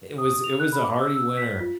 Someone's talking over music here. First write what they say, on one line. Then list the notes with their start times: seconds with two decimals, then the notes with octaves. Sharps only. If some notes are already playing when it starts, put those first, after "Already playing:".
it was it was a hearty winter,
0.18 D#6
0.44 F7
0.60 F#6
0.73 B5
0.84 D6
1.00 E6
1.14 E6
1.37 B6
1.60 F4